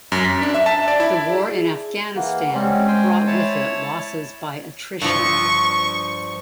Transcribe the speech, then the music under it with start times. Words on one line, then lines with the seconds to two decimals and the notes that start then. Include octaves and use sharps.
The war in Afghanistan brought with it losses by attrition.
0.12 F#2
0.25 B6
0.42 D4
0.54 E5
0.66 A5
0.88 D5
1.00 E4
1.28 G#4
2.15 E3 A#3 F#5
2.53 G3 G#3 C4 C#4
2.87 C5 G5 G#5
3.27 E4 C#5 A5
5.01 G2 F3 C#6